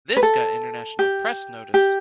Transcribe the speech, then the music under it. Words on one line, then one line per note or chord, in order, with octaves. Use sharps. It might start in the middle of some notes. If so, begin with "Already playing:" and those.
This got international press notice.
B4
A4
G4
G4